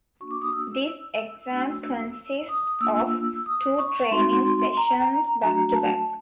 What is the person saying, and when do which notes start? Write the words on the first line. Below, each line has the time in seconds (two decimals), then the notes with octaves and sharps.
This exam consists of two training sessions back to back.
0.20 A#3 D4 F#4 C#6
0.31 D6
0.42 D#6
0.53 E6
1.50 A3 D4 F#4 E6
2.49 D#6
2.81 A#3 D4 F4 E6
3.46 D#6
3.78 C#6
4.11 G#3 C4 D#4 F#4 C6
4.77 A#5
5.42 F#3 A3 D4 F#4 A#5
5.74 A5